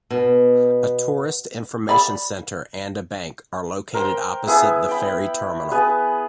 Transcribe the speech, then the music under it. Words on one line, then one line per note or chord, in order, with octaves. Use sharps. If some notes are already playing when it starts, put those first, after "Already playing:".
A tourist information centre and a bank are located opposite the ferry terminal.
B2
D5 B5
A#4 C5 G5
B3 E4 G#4
G5 B5
B3 G#4 B4